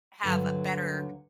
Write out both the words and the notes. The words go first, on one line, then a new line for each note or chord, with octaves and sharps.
have a better
D2 G2 D3 F#3